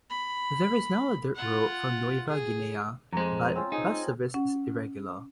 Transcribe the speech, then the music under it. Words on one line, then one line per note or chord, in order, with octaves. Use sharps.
There is now a dirt road from Nueva Guinea, but bus service is irregular.
B5
F4 F#5
G#4
F2 G#3 C5 A#5
C4 C#4 F4
D#4 G#4
C#4 F#5